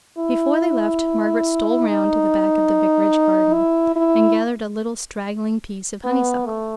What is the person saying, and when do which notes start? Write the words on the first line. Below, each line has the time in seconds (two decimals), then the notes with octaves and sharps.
Before they left Margaret stole round to the back of the Vicarage garden, and gathered a little straggling piece of honeysuckle.
0.18 E4
1.86 D#4
3.53 E4
3.95 E4
6.04 B3
6.46 A3